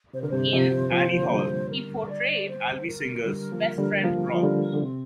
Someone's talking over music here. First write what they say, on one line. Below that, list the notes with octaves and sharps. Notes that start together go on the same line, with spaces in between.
In "Annie Hall", he portrayed Alvy Singer's best friend Rob.
C3 C5
D3 A#4
G2 C3 C5
C3 F3
F3 A#3
A#3
D3 G3
A#4
D5
C5
A#4
D3 G3
F3 A#3
D3 G3
F3 A#3
F3
D3 G3
D3
C3 C4